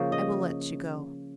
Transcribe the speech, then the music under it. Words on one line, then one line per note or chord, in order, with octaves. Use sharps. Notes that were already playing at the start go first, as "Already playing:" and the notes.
"I will let you go."
Already playing: C#3 F3 A#3
D#5